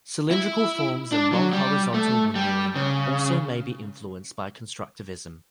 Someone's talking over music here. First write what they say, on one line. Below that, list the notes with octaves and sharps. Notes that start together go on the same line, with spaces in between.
Cylindrical forms and long horizontal windowing also may be influenced by constructivism.
E4
D4
F#3
G3
A3
G3
C#3